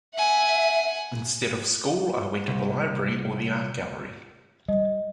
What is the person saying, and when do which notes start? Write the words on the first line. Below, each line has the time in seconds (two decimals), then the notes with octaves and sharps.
Instead of school I went to the library or the art gallery.
0.14 E5 F#5 G#5
2.48 C2
4.68 G3 D#5